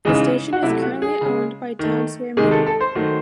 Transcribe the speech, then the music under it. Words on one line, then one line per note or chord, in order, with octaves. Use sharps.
The station is currently owned by Townsquare Media.
C#3 E3 G#3 D#4
F#4
C3 F#3 A3 E4
F#4
G#4
C#3 G#3
D#3 A3
C3 D#3 G#3 G#4
A4
A4
C5
D#3 F#3 A3